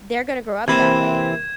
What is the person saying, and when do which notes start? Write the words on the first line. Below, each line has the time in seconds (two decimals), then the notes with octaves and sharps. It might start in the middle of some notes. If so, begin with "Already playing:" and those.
they're gonna grow up that way.
0.68 C3 E3 A#3 C4 B5 G#6 E7